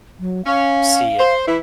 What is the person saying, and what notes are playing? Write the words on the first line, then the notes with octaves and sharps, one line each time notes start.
see it
F#3
C#4 F5
C5
E3 E4